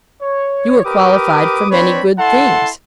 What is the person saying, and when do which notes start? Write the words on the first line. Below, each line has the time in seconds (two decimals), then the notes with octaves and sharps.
You are qualified for many good things.
0.22 C#5
0.84 G4 A#4 B4 D6 D#6
1.70 C4 D4 B4 C#5 B5
2.18 E4 A4 F#5 A5 C6